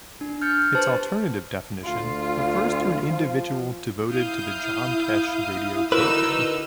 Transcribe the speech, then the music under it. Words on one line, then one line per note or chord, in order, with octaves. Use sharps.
It's alternative definition refers to an individual devoted to the John Tesh radio program.
D4
F6 G6 A6 C#7
G4 B4 C5 A5
D2 F4
F3
E4 F5 D#6 G6
D3 D#4 F#4 A#4 B4 E6